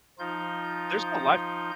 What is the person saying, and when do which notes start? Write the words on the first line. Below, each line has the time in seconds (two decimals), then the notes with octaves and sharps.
there's no lifeguard.
0.19 F3 D#4 F4 G6